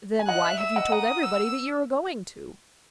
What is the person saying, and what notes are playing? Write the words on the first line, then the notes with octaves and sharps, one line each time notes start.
"Then why have you told everybody that you are going to?"
G#5
D#5 F#5 F#6
E5
E5 E6
D#5 F#5
F#5 A#5 D#6
E6